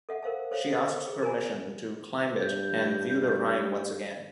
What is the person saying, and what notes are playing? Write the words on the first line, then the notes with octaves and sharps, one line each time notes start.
She asks permission to climb it and view the Rhine once again.
A4 E5 F#5
A#4 C5 F5 A5
A4 C5 C#5 F5
G4 A4 A#4 C5 D#5
G#4
F#4 A#4 C5 G#5 A#5
G2 G6